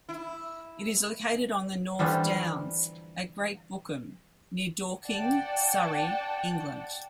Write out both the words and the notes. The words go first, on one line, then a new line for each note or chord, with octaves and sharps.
It is located on the North Downs at Great Bookham, near Dorking, Surrey, England.
E4
D3 E3 F3 G3
D5 F#5 G5 A5